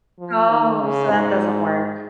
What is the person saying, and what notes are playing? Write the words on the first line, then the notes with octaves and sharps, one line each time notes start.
Oh, so that doesn't work,
F3
D#3
C#3
G#2